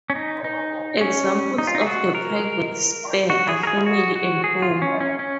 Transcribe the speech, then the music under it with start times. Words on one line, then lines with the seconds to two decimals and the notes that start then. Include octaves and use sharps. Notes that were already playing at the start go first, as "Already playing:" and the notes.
Examples of the private sphere are family and home.
0.10 C#4
0.15 D#4
0.44 D#4
1.01 C#4
1.58 D#4
1.67 F4
1.75 D#4
1.81 G#4
1.86 F#4
2.15 A#4
3.30 F#4
3.49 G#4
3.63 A#4
3.67 G#4
3.86 F#4
4.16 F#4
4.44 G#4
4.62 F4
4.82 C#4
5.00 C#4
5.19 C#4